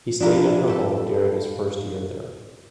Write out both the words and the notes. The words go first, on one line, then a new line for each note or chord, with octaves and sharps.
He stayed in her home during his first year there.
F3 D4 E4 G4 A#4
G4 A4